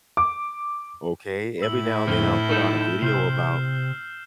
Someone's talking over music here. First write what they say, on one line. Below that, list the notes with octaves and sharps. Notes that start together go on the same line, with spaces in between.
Okay? Every now and then, I'll put out a video about
D6
A2 E4 E6 F#7
F2 D3 C4 F6 G7
D#4 A4 G6 E7 F#7
C3 F6 G6 C7